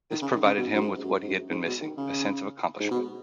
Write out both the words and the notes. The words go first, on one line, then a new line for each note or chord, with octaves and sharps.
This provided him with what he had been missing; a sense of accomplishment.
D#3
C#3
D#3
C#3
B2
F#2
G#2
F#2
G#2
F#2
G#2
B2
D#3
C#3
G#2
B2